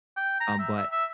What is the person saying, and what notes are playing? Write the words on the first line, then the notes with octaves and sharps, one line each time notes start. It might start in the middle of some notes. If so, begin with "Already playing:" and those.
um, but
G5
A#5
E5
E5
E5